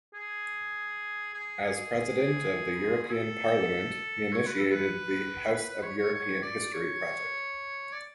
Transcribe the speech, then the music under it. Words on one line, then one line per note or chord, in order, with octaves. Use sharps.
As President of the European Parliament he initiated the House of European History project.
G#4
G#4
G#4
G#4
A4
C#5
B4
A4
B4
B4
B4
C#5
C#5
C#5
D5
C#5
D5